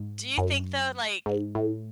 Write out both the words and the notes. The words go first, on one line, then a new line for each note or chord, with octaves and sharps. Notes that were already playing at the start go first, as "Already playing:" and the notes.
Do you think, though, like,
Already playing: G#2
F#2
G#2
A2